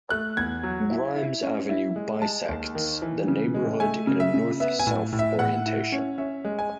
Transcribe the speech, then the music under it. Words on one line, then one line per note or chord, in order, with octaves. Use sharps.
Grimes Avenue bisects the neighborhood in a North-South orientation.
A3 F#6
E2 G#6
F#3
E4
E4
C#4
E4
G#3
G#3 A5
D#2
D#3
E3
C#3
G#3
A3 G#5
C#3
E5
C#3
B3 E5
G#5
A2
A2
E5
A2 F#5
E4
C#4
C#4 E5
G#3
G#5